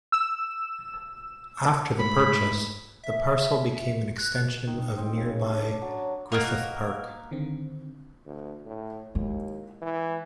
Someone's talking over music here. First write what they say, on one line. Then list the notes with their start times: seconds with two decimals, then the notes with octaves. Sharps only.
After the purchase, the parcel became an extension of nearby Griffith Park.
0.12 E6 E7
1.99 G#2 A3 B5
3.04 E5
4.18 F#6
4.67 D#3
4.82 D#4
4.97 C4
5.17 C#3
5.54 D4
5.82 F#3
6.32 A#3 B3 A#4 D#5 F5 C#6
7.31 D3 D#3 C4
8.26 D2
8.66 A2
9.15 D#2 G#3 E4
9.82 E3